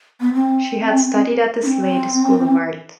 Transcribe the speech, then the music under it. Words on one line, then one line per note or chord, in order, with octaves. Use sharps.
She had studied at the Slade School of Art.
B3
C4
D4
C4